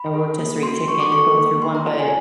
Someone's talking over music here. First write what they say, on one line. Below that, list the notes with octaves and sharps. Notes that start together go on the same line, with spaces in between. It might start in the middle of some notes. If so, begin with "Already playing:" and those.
A rotisserie chicken go through one, but
Already playing: B5
G#4
A#3
F#4 C6
C6
D4 C#6
D6
A4 C#6
A#3
G#4 C6
A#5
F4 A5
G#5